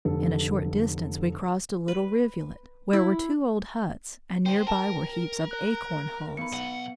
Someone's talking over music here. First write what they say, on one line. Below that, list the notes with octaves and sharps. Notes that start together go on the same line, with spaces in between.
In a short distance we crossed a little rivulet, where were two old huts and near by were heaps of acorn hulls.
F1 D3 A4
B4
E4
D2 C5 G5
A#4 G5 A5 A#5
F#6
B3 D#4 B4 C#7
B1 F#5